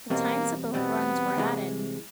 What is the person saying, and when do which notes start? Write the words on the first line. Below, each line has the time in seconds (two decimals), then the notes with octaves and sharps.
The times of both runs were added.
0.10 E2 B2 G3 A#3 C4
0.73 E2 B2 G3 B3 C4
1.36 C2 C3 E3 G#3